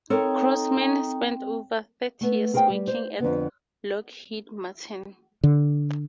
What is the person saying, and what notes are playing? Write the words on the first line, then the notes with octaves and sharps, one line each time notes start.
Crossman spent over thirty years working at Lockheed Martin.
C4 D#4 A4 A#4 C#5 G5
A3 B3
G#4 A#4 C5 F5 G5
G3
C5
F2 D3 B3
D3